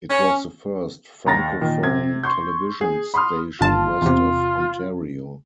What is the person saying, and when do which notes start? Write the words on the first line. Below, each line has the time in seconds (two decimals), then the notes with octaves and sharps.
It was the first francophone television station west of Ontario.
0.10 C#4
1.26 D#2 A#5 A6 A#6
1.61 A#2 D#3
1.83 C3 G#6
2.23 C6 C#6 G6
2.81 G#4
3.14 B5 C6 D#6 F6
3.61 G1 F4 A5
4.02 E2 C3